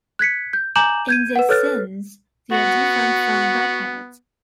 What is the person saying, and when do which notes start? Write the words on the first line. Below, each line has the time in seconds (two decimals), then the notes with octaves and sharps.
In this sense, they are different from bipeds.
0.19 F#6 G#6 B6 C#7
0.53 G6
0.76 G#5 A#5 D6 G6 E7 F#7
1.08 G6 G#6 D#7
1.36 B4 F#5
1.49 A4 B4 C#5 F6 F#6 A6
2.52 B3 F#4